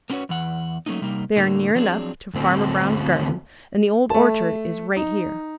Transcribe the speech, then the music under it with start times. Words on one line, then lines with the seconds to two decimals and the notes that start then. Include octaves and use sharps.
They are near enough to Farmer Brown's garden, and the Old Orchard is right here.
0.10 A#3 C4 C#4 F#4 B4 C#5
0.29 E2 E3 F#5
0.86 F#3 A3 A#3 C#4 D#4
1.01 C3 G3 A#3 D#4
1.36 A2 D3 A#3
1.75 F3 F#3 C4 D4 F#4 G#4
2.35 D2 C4
4.10 A3 A5
4.96 D#4